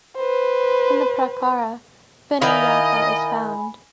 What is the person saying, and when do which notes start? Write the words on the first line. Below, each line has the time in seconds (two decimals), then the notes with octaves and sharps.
In the prakara Vinayaka is found.
0.17 B4 C5
2.42 D#3 E4 D#5 F5 G#5 B5